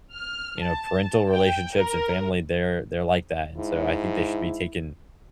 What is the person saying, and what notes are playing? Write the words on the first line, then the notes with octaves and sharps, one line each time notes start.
you know, parental relationships and family, they're they're like that, and so I think they should be taken
F6
A5
G5
A#4
G#2 E4